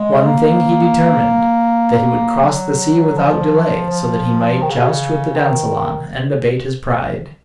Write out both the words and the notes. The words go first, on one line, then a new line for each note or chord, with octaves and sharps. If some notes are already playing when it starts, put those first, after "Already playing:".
One thing he determined, that he would cross the sea without delay, so that he might joust with the dansellon, and abate his pride.
Already playing: G#3
A#3
F#3
F3
F3
D#3
C#3
B2
C#3
D#3